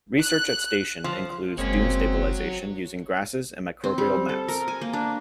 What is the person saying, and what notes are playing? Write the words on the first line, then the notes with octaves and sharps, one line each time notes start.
Research at station includes dune stabilization using grasses and microbial mats.
F#6
F3
F#1 G#3 A#3 C4 C#4 F#4 C#5
C4
G3
A4
A#4
G#5
A#3
D4